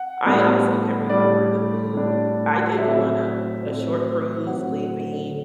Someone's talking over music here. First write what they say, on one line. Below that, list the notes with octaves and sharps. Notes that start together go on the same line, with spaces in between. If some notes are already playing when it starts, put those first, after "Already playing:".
I also can remember the food I did go on a a short cruise leaving
Already playing: F#5
A2 G3 B3 D4
A2 G3 D4 D5
A2 G3 D4
A2 F#3 C4 E5
A2 F#3 C4
A2 F#3 C4 F#5